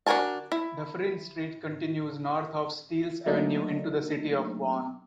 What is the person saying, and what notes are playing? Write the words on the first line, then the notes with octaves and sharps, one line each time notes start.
Dufferin Street continues north of Steeles Avenue into the city of Vaughan.
D4 F#4 A#4 G#5 A5
E4
F#3 A3 A#3 D4 D#4